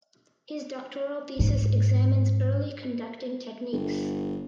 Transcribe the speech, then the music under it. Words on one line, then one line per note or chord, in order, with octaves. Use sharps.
His doctoral thesis examines early conducting techniques.
G#2
G1